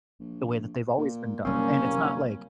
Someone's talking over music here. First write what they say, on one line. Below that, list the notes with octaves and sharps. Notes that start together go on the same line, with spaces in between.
the way that they've always been done?" And it's not like,
A#1
A#2
F#1 C3 G3 A#3 C4 C#4